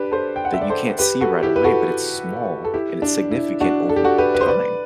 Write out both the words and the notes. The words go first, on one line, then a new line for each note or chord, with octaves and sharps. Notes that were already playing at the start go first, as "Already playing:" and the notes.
that you can't see right away, but it's small and it's significant over time.
Already playing: D4 G4 B4
A4 C5
G5
F#5
E5
D5
A4 C5
G4 B4
F#4 A4
E4 G4
B4
F#4 A4
A4
E4 G4
D4
E4
D4 F#4
A4
G4
F#4 A4
G4 B4
B4
C5
B4 D5